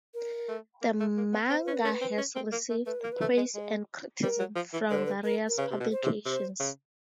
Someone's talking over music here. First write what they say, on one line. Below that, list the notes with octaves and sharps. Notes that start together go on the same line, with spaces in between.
The manga has received praise and criticism from various publications.
A#4
A3
A#3
A3
A#3
B3
C4 C5
C#4 B4
A#4
C#4
B4
C4
C#4
C4
A#3
A3
A3 B4
A#3 A#4
B4
A3
G#3
G#3
G3 A#4
F#3
F3
E3
D3 B4
C5
B4
A#4
A#4
C#3 B4
C3
B2
C5
C3
C3 C5
C#3